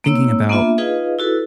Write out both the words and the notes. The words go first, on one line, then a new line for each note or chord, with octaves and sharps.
thinking about
A#3 C4 D#4 C#5 E6
A#3 B3 D4 F4 E5
D#4 F4 G#4 B4 D#5 F5
E4 F#4 A4 B4